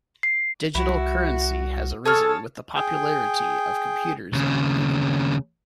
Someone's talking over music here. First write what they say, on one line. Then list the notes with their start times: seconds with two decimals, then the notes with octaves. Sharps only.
Digital currency has arisen with the popularity of computers and the Internet.
0.23 C7
0.75 C2 E4 F#4
2.05 G#4 A4 C#5 A5 C#6 F6
2.76 G#4 G5
4.33 D#2 C#3